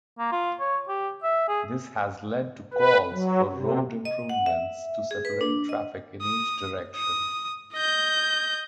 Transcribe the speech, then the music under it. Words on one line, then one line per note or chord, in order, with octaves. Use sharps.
This has led to calls for road improvements to separate traffic in each direction.
A#3
F4
C#5
G4
E5
G#4
B4
F#3
C3
D#5
F#5
E5
G#4
B4
D4
D#5
D#6
D#6
D#5 G6